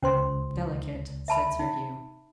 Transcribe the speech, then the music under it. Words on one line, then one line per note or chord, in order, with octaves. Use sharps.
"Delicate!" said Sir Hugh.
C#2 C#4 C5 C6
E5 A5 B5
D#4